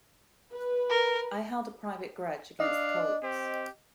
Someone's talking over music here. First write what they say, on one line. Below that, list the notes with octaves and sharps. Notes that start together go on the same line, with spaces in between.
I held a private grudge against the Colts.
B4
A#4
D4 D#5 F5
C4 G4